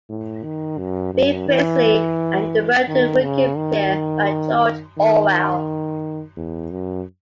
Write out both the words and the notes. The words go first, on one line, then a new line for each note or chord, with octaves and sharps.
B. Priestley and "The Road to Wigan Pier" by George Orwell.
A2
D#3
F#2
F#2
E3
D#3
C#3
D#3
D#3
E2
F#2